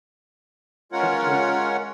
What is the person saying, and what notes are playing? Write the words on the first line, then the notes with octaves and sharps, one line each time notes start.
Thank you.
G#3 C#4 F4 A#4 C#5 F#5